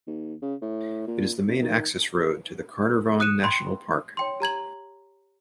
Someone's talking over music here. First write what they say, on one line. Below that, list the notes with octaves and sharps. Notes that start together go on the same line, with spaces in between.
It is the main access road to the Carnarvon National Park.
D#2
C#3
A2
A#2
F#2
D#3
D#6 F#6 C#7 D#7 E7
G5 B5 C6
C#5 G5 C6
G4 A#5 G#6 F#7